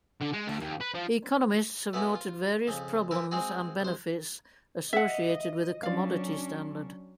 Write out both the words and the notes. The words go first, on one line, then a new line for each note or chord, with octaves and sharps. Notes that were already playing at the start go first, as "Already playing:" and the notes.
Economists have noted various problems and benefits associated with a commodity standard.
D3
G#3
D2
D#2
B4
F3
A3 B3 C#4 E4 F#4
F4
F2 C#3
E3 F3 A#3 E5
G#3 C4 F#4 G#4
C2 C5
D#5 E5 F#5
F#3 C#4 D4 D5 F5